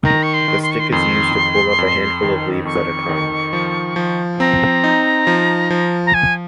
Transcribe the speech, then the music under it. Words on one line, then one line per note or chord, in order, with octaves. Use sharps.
The stick is used to pull up a handful of leaves at a time.
D#3 A#5
C#6
C6
D#3
C6
C#6
C6
F2 C6
F2
F2
D#3
F2 C#6
D#3
F3
F3
C4 A#5
D#4
F3
F3
A#5
F3 G#5